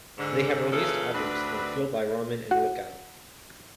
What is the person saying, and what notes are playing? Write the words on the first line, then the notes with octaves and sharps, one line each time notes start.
They have released albums on Fueled by Ramen and Lookout!
G#2 D3
A#2 C#3 E3 A4
D2 C4 D4 B4
F#4 F#5